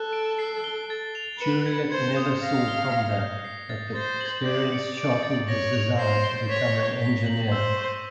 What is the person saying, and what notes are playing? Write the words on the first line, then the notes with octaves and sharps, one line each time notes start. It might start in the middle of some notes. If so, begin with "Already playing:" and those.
Jureit never saw combat but the experience sharpened his desire to become an engineer.
Already playing: A4 F#6
D7
C7
G7
A6
F7
B4 C#7
G#6
C5 G#6
D#6
F5 A#6
G7
A#6
G6
C7
A6
C5 A6
F#7
D5 G6
C#7
D5 D7
A6
C#5 A#6
F7
C5 C7
G7
C#5 B6
G6
B6
F#7
C5 E6
C#6